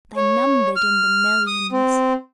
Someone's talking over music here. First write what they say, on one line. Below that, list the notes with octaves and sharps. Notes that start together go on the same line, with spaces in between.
They numbered in the millions.
C#5
F6
D#6
C4